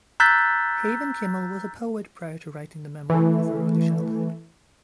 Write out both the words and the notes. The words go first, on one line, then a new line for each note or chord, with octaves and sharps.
Haven Kimmel was a poet prior to writing the memoir of her early childhood.
A#5 E6 F#6 G6 A6 B6
E3 A3